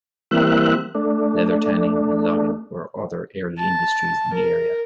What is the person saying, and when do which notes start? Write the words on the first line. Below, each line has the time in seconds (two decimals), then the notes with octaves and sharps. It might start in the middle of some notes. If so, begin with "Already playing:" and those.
Leather tanning and logging were other early industries in the area.
0.31 E3 G3 A#3 C4 E5 F#6
0.95 A3 D4
3.58 A5
4.33 A#4